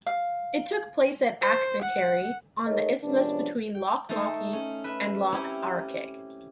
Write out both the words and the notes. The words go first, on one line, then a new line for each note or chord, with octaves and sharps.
It took place at Achnacarry, on the isthmus between Loch Lochy and Loch Arkaig.
F5
C5
F#5
A3 D#4 G#4 A#4 C#5 D#5
C3 F3 G#3 B3 C#4 D4
G5
A3 D#4 A4 C5
C#4
B4 E5
C4 C#4 E4 G4 C#5